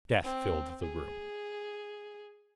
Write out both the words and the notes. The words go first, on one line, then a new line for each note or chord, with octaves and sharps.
Death filled the room.
C4
G#4